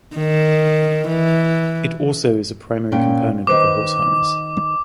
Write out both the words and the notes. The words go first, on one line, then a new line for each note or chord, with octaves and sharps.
It also is a primary component of a horse harness.
D#3
E3
A#2 C#4 G5
D#3 B4 C5 D6